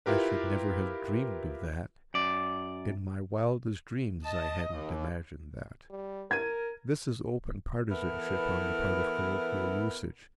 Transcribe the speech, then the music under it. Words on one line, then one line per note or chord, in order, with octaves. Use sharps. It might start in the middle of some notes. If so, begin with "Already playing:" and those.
"I should never have dreamed of that," "in my wildest dreams I hadn't imagined that." This is open partisanship on the part of colloquial usage.
E4 F4 G4 A#4 B4
F#2 D5
D#5 A5
D#2
G3
A#4 G#6 D#7
E3 B3 E4 A4 A#4